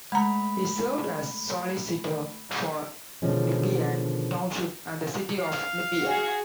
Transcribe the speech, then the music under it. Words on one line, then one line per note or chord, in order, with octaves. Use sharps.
He served as solicitor for Nepean Township and the City of Nepean.
G#3 A3 A#5 B5
B2 D3 D#3 F3 G#3 C#4
F5
F#4 G#4